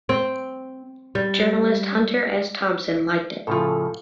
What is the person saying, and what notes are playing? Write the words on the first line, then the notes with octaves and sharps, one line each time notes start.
Journalist Hunter S. Thompson liked it.
C4
G3
A2 C#3 F3 F4 A4